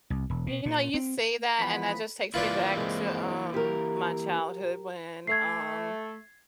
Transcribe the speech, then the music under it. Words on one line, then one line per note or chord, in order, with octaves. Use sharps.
You know, you say that, and that just takes me back to, um, my childhood when, um
C2
E1
B2
A#2
C4
E3 F3 B3 B5 B6
E3 A#3 E4 F4 B4 D5
G#3 C4
G4 A#4
A3 G#6 C7